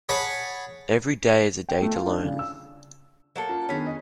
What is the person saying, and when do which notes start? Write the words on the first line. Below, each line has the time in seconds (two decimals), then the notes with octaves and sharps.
Every day is a day to learn.
0.09 G#4 C#5 F#5 A5 B5
1.69 G5
1.82 A3
1.95 F4
2.07 D4
2.25 C#3
2.39 E6
3.36 F#3 A#3 A4
3.49 C#4 F4
3.69 D#3 B3 C#4 D4 G#4 C#5 B6
3.86 D#5